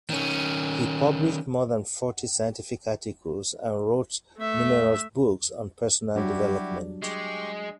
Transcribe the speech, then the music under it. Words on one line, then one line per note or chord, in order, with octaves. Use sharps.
He published more than forty scientific articles and wrote numerous books on personal development.
D#3 C#4
A3 E5
F#3 G3 D4 E4 F#4 G4
G#3 G4 C#6